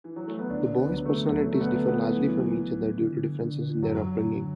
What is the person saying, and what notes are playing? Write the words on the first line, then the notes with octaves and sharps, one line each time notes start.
The boys' personalities differ largely from each other due to differences in their upbringing.
E3
F#3
A3
B3
D2 D4
B3
D2 F#3
A3
D2 F#3
A3
B3
D2
B3
E3 F#3
F#3
D3
D3
F#2 F#3
D3